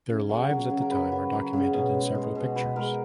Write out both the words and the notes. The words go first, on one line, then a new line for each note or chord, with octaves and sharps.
Their lives at the time are documented in several pictures.
C#3
F#3
F#3 A#4
C#3
A#4
C#3 B4
F#3
F#3
C#3
B2
G#3
G#3
B2
B2 B4
G#3 A#4